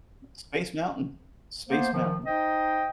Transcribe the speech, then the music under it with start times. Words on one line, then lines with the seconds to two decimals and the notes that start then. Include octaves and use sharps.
Space Mountain. Space Mountain.
1.70 A#3 B3 C5
1.93 D#3 F3
2.26 D#4 C5 D#5 G5